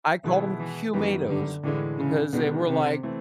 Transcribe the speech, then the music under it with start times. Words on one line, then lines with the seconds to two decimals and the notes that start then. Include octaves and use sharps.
I called 'em "Cumatoes" because they were like
0.24 B2 D#3 G#3 B3 E4
0.59 E3
0.93 F#2 D#3 E3 G3 B3
1.29 D3
1.63 A2 D3 E3 G#3
1.98 C#3
2.33 B2 D#3 G#3 B3 D4
2.68 C3
3.03 E3 A3 C4